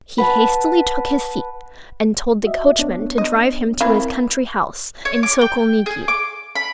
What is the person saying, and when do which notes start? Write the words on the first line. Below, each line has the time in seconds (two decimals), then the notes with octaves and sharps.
He hastily took his seat and told the coachman to drive him to his country house in Sokolniki.
0.18 B4 F#5 A5
2.44 F#4 D#5 E5
2.79 B3 D4 C#5
3.18 D#5
3.81 E3 C4 E4 A#4 F5
5.05 C#5
5.23 D6
5.41 G5
5.86 G#4
6.08 D6
6.55 B5